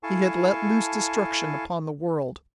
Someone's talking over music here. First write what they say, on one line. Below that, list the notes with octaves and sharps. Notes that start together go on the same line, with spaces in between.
He had let loose destruction upon the world.
E4 A4 F5 G#5 A5 C#6